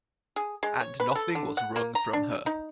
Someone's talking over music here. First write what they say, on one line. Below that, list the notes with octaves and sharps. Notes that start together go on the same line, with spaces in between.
And nothing was wrung from her.
G#4
G#3
C#5
B4
A4
D3
F#5
A#3
A#5
D4
D#4